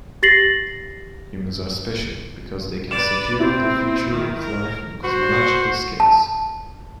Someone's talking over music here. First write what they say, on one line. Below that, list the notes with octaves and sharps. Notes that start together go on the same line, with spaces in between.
Humans are special because they can secure the future of life on cosmological scales.
G4 A6 A#6 C7 F#7
B4 D5 E7
C4 E4
D#3
A#4
F#4 C5
A5